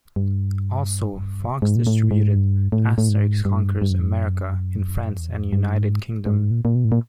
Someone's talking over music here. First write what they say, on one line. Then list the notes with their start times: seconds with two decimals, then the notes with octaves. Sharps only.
Also, Fox distributed "Asterix Conquers America" in France and United Kingdom.
0.16 G2
1.62 G#2
1.76 A#2
1.87 A2
2.11 G#2
2.35 G2
2.72 A2
2.98 A2
3.09 G#2
3.45 G2
3.82 G2
3.90 F#2
3.98 F2
4.07 F#2
5.19 E2
5.28 F2
5.53 G2
5.77 G#2
6.26 G#2
6.51 A#2
6.65 A#2
6.75 B2
6.85 A2
6.92 A#2